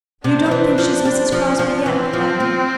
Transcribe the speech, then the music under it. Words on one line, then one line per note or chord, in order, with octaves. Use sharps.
"You don't think she's Mrs. Crosbie yet, then?"
C3 D4
F3
E3
F3
G3
F3
F3
E3 C4
F3
F3